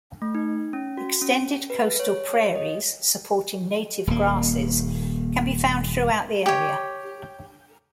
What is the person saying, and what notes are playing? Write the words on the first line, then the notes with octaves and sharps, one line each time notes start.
Extended coastal prairies supporting native grasses, can be found throughout the area.
A3
D#4
C#4
F#4
C#4
B4
C#5
C#5
D#5
D#1 A#3
G4 C#5